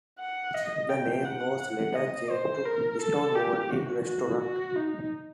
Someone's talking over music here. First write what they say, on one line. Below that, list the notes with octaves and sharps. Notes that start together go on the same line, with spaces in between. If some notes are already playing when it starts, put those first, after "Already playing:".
The name was later changed to Stonewall Inn Restaurant.
F#5
D#5
G5
F#5
F#5
D#5
C5
A#4
A4
G4
F#4
F#4
F#4
D#4